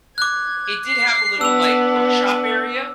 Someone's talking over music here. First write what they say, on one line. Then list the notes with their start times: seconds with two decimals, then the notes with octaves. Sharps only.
It did have a little, like, workshop area
0.18 D6 F#6 G#6
0.86 C7
1.41 B3 D4 E6 F7